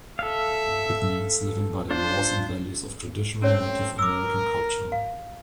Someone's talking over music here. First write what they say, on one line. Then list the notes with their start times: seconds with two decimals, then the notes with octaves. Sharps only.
It means living by the laws and values of traditional Native American culture.
0.19 A4 E5 F5
1.91 D4 F4 C5
3.42 A3 C4 C#4 C#5
3.99 A#4 D6 E6
4.92 F5